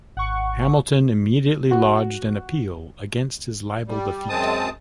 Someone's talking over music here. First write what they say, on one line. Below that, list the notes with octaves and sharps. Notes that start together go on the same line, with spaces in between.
Hamilton immediately lodged an appeal against his libel defeat.
G#1 F#5 C#6
F#4
G3
F#2 G#3 C4 A5 D#6